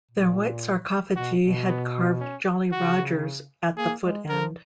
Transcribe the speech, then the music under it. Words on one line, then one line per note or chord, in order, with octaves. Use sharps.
Their white sarcophagi have carved "jolly rogers" at the foot end.
A#2
B2 F#4
B2
B3
C#4
C#3 F#4
A#3 G#4
G#3
F3 A#4